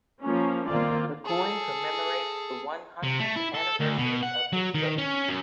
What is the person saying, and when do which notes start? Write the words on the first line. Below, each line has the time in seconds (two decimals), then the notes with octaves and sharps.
The coin commemorates the one hundredth anniversary of his birth.
0.23 F3 A#3 C#4
0.69 D#3 A#3 C4 F4 D5
1.26 G#4 A4
3.03 C3
3.19 A3
3.36 E4
3.54 A4
3.80 D2
3.98 B2
4.23 F#5
4.53 F#3
4.74 D#3
4.98 C#4
5.29 F#2